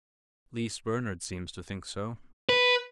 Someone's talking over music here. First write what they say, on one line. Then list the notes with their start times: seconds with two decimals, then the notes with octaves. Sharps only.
"At least, Bernard seems to think so."
2.49 B4